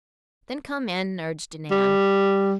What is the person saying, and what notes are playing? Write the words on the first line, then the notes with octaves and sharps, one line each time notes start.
"Then come in," urged Nan.
G3